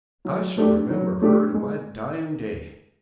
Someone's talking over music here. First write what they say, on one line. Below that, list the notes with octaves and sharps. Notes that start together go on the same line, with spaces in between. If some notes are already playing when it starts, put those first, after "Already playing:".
I shall remember her to my dying day.
F#3
A3 D4 G4
F#3
A3 D4 G4
G#3